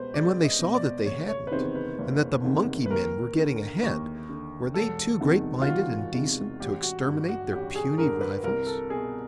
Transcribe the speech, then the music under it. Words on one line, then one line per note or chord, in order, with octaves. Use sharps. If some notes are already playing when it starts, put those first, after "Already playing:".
And when they saw that they hadn't, and that the monkey-men were getting ahead, were they too great-minded and decent to exterminate their puny rivals?
Already playing: C#2 B2 B4 C5
C#2 D5
D#5
B2
D5
F#1 C#5
C#5
B4
E2 C3 D#3 C5
B4
F#1
E2 C3 D#3
B4
D#2 A#4
D3
D#2
D3
E1 A4
E2 C3 D#3
F4
E1 F#4
E2 C3 D#3
A1 G4
F#4
G2 D3
F#4
A1 G4
G#4
G2 D3 A#4
B4
C2 A#4
A4
B2 G#4